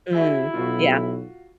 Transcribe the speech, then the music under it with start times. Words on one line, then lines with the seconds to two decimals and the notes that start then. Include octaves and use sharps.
Mm, yeah.
0.13 E4 F#4 G#4 E5
0.54 B1 F4 F#4